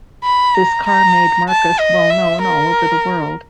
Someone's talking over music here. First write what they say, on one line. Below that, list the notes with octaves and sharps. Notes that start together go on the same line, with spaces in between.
This car made Marcus well-known all over the world.
B5
A#5
A#5
A5
D#5
E5
A#4